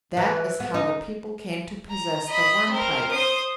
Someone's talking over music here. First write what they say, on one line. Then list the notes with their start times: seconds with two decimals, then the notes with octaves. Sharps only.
That is how the people came to possess the Worm Pipe.
0.17 E3
0.60 B3
0.74 D#4
1.91 A#5
2.28 D#5 B5
2.70 C4 A#4
3.11 C5 D#6